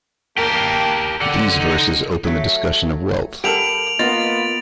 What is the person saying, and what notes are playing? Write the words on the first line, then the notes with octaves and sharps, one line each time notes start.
These verses open the discussion of wealth.
A#3 G4 A#4 G5 A5
A4 D5 F#5
D#4
F#3 A3
G3 G4 A4 A#4 F#5 D7 F7 F#7
A#3 B3 F4 D#5 A6